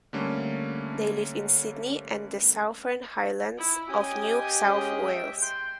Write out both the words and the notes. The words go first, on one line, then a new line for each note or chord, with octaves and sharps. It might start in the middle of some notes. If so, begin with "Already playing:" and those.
They live in Sydney and the Southern Highlands of New South Wales.
D3 G3 A3 A#3 C#4
E4
C#4 G4 D#5 G#5 D#6
G#3 C#4 G#4
E5 G5
G5 C6